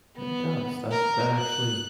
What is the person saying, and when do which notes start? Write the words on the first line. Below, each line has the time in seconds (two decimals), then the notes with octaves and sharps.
But it does, that that actually
0.16 B3
0.91 A#4
1.39 F#6